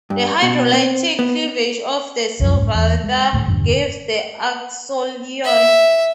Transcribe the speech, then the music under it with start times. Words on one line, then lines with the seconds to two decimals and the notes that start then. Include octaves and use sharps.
The hydrolytic cleavage of the silylether gives the acyloin.
0.10 G2
0.42 B2
0.73 C4
1.19 B3
2.40 C2 F#2 F3
2.54 G#2
2.75 E2
3.04 G#3
3.33 D2 A2
3.46 E1 G2 D3
5.44 E5